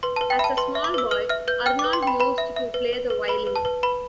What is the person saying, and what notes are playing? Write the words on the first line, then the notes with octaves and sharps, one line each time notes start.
As a small boy, Arnold used to play the violin.
B4 C6
B4 A5
G5
E5 A5 B5
B4 C6
E5
D6
B4 E6
B4 F6
E5 F6
B4 G6
G5 F6
D6
B4
C6
G5 B5
B4 B5
E5
E5
B4
B4
B4
B4 B5
B4
A5
B4
B4 B5